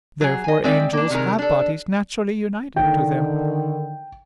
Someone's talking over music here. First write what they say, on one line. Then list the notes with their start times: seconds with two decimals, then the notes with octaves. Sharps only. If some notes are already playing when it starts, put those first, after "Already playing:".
Therefore angels have bodies naturally united to them.
0.21 F#3 G#4
0.44 D#5 G#5
0.64 G#3 C4 D5 E5 G5
0.93 A#3 D4
1.10 C3 D#3 G#3 A#4
1.39 D4 A4
2.76 D3 D#3 G5